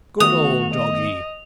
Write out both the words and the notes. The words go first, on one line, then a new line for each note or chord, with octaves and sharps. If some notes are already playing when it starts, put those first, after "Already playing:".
Good old doggy!
D#3 A3 B3 F#4 D#6 F7
D#5